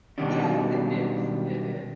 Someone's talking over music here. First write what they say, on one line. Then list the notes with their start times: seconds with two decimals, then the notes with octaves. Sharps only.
Yes, it is. It is.
0.18 B2 D#3 F#3 G3 C#4 D4